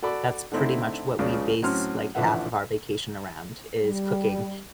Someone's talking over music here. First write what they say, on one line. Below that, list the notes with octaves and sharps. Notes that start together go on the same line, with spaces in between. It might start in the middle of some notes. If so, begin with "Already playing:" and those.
that's pretty much what we base, like, half of our vacation around is cooking.
F#4 A4 D5 B5 D6
D3 A3 C4 D#4 E4
C#2 C#3 F3 D5
A2 F#3 C4 C#4 C6 F6
A1 D3 F3 B4 E5 F#5
G3